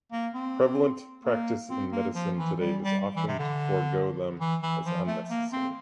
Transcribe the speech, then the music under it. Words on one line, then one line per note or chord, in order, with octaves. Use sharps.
Prevalent practice in medicine today is often to forego them as unnecessary.
A#3
C4
A#3
C4
A#3
F3
E3
G3
G3
E3
C3
D3
E3
E3
F3
A3
A#3
C4